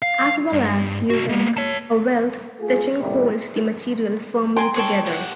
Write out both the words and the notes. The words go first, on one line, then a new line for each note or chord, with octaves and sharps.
As well as using a welt, stitching holds the material firmly together.
F5
G2
C2 F#4
A#3 B3
C#5 A5
A3 F4 G#4
D#2 A2 C3 G3
G5 G#5 A#5 C6
G#4 C#5 G5 A5
A3 G4 F#5